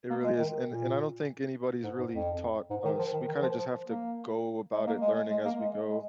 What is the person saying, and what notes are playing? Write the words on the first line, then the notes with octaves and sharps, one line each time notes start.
It really is, and and I don't think anybody's really taught us, we kinda just have to go about it learning as we go.
A#3
G#3
D#3
A#2
G#2
G#2
F2
G#2
D#3
F3
D#3
D#3
F3
F3
A#3
G#3
A#3
G#3
G#3
A#3
G#3
G#3